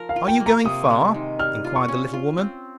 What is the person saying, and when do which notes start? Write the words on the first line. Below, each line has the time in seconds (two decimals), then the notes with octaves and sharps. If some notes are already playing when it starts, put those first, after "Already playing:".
Are you going far?' inquired the little woman.
Already playing: F3 A#4
0.09 F5
0.16 F4
0.28 G5
0.40 A#3
0.46 A#5
0.65 C3 D#6
0.90 G#3
1.14 D#3
1.39 G3 F6
1.64 F4
1.76 C#6
1.88 C#4
2.13 F4
2.38 C4